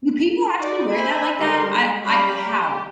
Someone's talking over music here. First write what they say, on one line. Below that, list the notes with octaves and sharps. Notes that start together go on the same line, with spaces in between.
Do people actually wear that like that? I I how?
D#4 F#4 D5
C5 E5 G#5 B5
D3 G3 G#3 G4 A#4 C6
G#3
G3 C#4 G4 F5 A#5 B5
G4